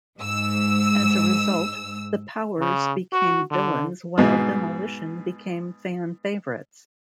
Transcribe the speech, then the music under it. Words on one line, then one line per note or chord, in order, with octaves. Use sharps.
As a result, the Powers became villains while Demolition became fan favorites.
G#2 E6
C#3
F#4
D3
G#2 B2